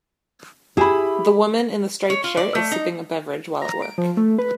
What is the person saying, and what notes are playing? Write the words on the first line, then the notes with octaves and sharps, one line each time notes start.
The woman in the striped shirt is sipping a beverage while at work.
E4 G4 G#4 B5
C#5
F4
D5
A3
D#4
A#5
D7
F3
A3
B4